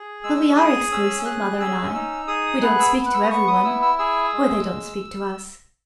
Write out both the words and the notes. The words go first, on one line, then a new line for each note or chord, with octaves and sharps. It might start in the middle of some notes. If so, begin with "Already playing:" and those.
Well, we ARE exclusive, mother and I. We don't speak to everyone--or they don't speak to us.
Already playing: G#4
G#3 E6
G#4 D#6
C#4 E6
G#4 F#6
C#4 E6
D#4 E6
G#4 D#6
B3 F#6
E6
B3
F#6
E6
D#6
B3 C#6
D#6
E4 E6
E6
G#4 E6
G#3